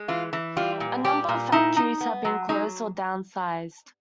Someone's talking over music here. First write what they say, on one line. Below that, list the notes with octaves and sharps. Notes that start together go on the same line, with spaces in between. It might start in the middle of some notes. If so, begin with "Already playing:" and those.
A number of factories have been closed or downsized.
Already playing: G#3
E3 F4
E3
G3 F4
A#2
G3 G4
A#2
D#4 E4
D#4
B3
F#3
F#3 D#4